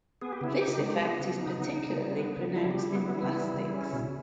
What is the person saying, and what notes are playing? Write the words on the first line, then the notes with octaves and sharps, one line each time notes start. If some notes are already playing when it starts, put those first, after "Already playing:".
This effect is particularly pronounced in plastics.
B3 G#4
G4
C#3 E4
G4
D#4
G#3
B3
C#3
B3 D#4
C#3
D#4
G3
B3
C#3
G3 E4
C#3 G4
E4
B3
E4
E3 E4
G3
C#3
C#4
B2